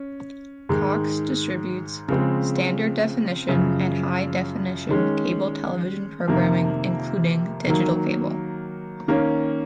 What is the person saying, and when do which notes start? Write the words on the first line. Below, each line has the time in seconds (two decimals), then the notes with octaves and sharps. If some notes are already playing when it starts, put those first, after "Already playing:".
Cox distributes standard definition and high-definition cable television programming, including Digital Cable.
Already playing: C#4
0.69 G#2 D#3 G#3 D#4
2.08 C#3 F3 G#3 C4
3.49 F#2 C#3 F3
4.89 D#3 G#3 C#4
6.28 F2 C3 D#3 A#3
7.68 D#3 F#3 A#3
9.08 D#3 A#3 C#4